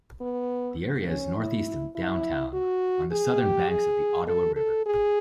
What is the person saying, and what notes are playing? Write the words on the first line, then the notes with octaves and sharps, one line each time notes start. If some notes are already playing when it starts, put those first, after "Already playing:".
The area is northeast of downtown, on the southern banks of the Ottawa River.
B3
C#4
E4
E4
F#4
G#4
G4
G#4
A4
A4
G#4